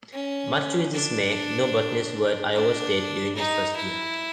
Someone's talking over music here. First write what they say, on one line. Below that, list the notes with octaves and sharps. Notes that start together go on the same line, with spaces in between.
Much to his dismay, no botanists were at Iowa State during his first year.
C#4
D4
D4
D#4
E4